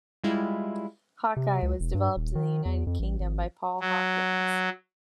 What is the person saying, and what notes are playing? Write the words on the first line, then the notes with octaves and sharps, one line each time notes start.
Hawk-Eye was developed in the United Kingdom by Paul Hawkins.
G3 G#3 E4 F4
C3
C#2
E1
G2
D#1
D#3
E2
F2
A1
G#1
F#3